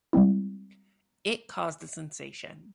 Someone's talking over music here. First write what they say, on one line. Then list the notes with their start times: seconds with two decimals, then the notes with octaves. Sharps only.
It caused a sensation.
0.13 G3 G#3 C4 E4